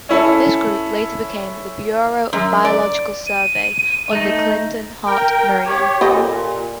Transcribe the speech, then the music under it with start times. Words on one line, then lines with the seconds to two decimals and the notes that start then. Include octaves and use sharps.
This group later became the Bureau of Biological Survey under Clinton Hart Merriam.
0.09 C#4 E4 A4
2.33 F#2
2.65 D5
3.27 D#7
4.13 A3 D#4
5.07 A#4 G5
5.66 G4 C#5
6.01 A#2 G4 A4 D#5